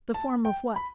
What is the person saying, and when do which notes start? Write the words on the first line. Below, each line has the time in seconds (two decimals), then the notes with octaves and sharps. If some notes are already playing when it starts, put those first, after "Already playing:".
The form of what?
0.14 A5
0.45 G5
0.76 B5